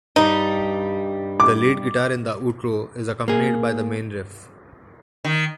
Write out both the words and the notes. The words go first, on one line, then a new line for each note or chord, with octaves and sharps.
The lead guitar in the outro is accompanied by the main riff.
G2 G3 D#4
D6
A#3 G#4
D#3